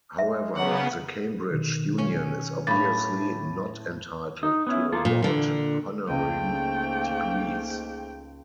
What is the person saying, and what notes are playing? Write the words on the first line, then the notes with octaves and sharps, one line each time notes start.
However, the Cambridge Union is obviously not entitled to award honorary degrees.
G#3 E5
C#3 F#3 B3 F#5
B2 D#3
C#4
A2 B5 D6 A6
D#4
B3 C#4 E4
A#3 F4 A4
A#2 E3
A#2 D3
C#2 G#2 A3 A#3 G5 D#7